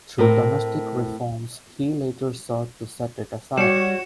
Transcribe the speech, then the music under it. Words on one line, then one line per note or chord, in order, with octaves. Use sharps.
Through domestic reforms he later sought to set it aside.
A2 C4 A#4
G3 F#4 C#5 C#7 E7